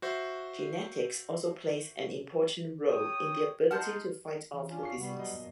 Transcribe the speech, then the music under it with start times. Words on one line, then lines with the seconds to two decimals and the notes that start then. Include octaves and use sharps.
Genetics also plays an important role in the ability to fight off the disease.
0.02 F#4 C5 E5
2.86 C#5 G5 D#6
3.71 D#4 F#5 A5 C6 F6 G6
4.53 E3
4.69 C#4 D4 F4
4.83 C2 C#6 C7
4.98 C3 G3 B3
5.16 B2 F#3 D#5
5.33 F#2 A#2